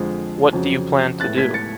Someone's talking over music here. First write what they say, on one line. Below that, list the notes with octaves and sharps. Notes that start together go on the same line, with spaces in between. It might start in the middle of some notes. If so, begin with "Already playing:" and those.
What do you plan to do?
Already playing: F2 D3 F3 G#3
F2 C#3 F#3
A2 G#3 B3 F#6 A6
G#6 B6
A6 C#7